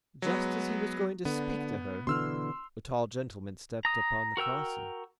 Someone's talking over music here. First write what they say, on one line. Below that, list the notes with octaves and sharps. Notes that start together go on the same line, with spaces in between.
Just as he was going to speak to her, a tall gentleman stepped upon the crossing.
F#3 G#3 B3
D3 B3
B2 D3 E3 C6 E6 F6
A#5 D#6
F#4 A#4 G5 E6